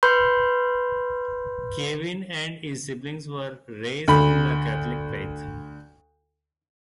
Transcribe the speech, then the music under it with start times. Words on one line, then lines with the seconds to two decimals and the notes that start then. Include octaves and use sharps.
Kevin and his siblings were raised in the Catholic faith.
0.03 B4 B5 C6 G6
4.08 D2 B5